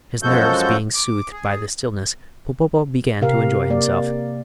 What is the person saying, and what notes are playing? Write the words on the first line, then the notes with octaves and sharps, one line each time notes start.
His nerves being soothed by the stillness, Popopo began to enjoy himself.
F#2 F3 G#3 F#4 A4 G6
D6
G#4
C3 G4 A#4 F5
A#3 D5